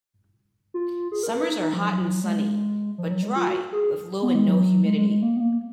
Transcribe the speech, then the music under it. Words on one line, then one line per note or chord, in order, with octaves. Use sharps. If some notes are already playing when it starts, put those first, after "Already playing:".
Summers are hot and sunny, but dry, with low or no humidity.
F4
G#4
A#4
B4
D#4
D#4
F3
F#3
G#3
F3
F#3
G#3
F4
F#4
G#4
B3
G#3
F#3
G#3
G#3
G#3
A#3
B3
A#3